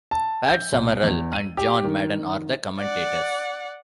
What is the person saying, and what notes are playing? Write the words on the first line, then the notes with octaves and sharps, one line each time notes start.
Pat Summerall and John Madden are the commentators.
A5
G6
B1
E2
D#7
G4
D#3
D5 F#5